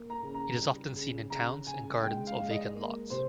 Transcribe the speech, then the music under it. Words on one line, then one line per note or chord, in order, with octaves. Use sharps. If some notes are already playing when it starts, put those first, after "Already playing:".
It is often seen in towns, in gardens or vacant lots.
Already playing: A#3
A#5
C#3
A#5
G3
C#3
C#3 A#5
C#3 G#5
G#3 G5
F5
G#3
D#5
A#3
C3 C5